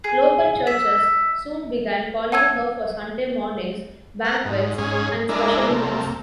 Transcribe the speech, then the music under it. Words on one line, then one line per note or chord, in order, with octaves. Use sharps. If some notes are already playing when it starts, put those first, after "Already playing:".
Local churches soon began calling her for Sunday mornings, banquets and special events.
G#4
E5
F#5 A5 E6 G#6
A#4 F#5
G#2
G#2 C#4 G#4
G#3 D4 E4 A#4
C3 A3 A#3